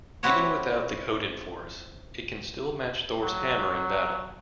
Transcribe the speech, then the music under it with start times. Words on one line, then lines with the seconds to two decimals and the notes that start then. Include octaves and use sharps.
Even without the Odin Force it can still match Thor's hammer in battle.
0.23 C4 E4 F#4 G4 C#5
3.22 F#3